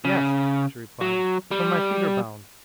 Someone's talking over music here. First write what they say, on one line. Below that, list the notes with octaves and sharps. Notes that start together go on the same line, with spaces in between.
"Yes," she replied, "but my feet are bound."
C#3
F#3
G3